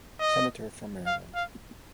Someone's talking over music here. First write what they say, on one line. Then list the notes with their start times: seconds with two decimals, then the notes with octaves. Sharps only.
Senator from Maryland.
0.20 D#5
1.06 F5
1.35 F5